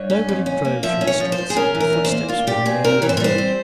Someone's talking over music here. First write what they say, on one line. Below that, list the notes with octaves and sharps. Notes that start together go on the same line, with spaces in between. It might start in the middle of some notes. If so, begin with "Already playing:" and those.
Nobody drove through the streets and footsteps were rarely heard.
Already playing: G2 C#5
C#4
F2
C#4
A#3
F3 E5
C#4
C#5
F3
C5
F3
G#4
C#4 A#4
E3
A#4
E2
C5
A#3
A#2 F4
A#2 G4
A#2 G#4
C4 A#4
E3 C#5
C5
A#4
G3 C5
C4